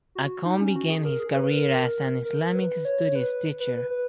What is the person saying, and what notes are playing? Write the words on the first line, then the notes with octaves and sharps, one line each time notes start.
Akon began his career as an Islamic studies teacher.
F#4
D#4
C#4
F#4
G#4
A#4
G#4
B4
A#4
A#4
B4
C#5
B4
B4
B4
B4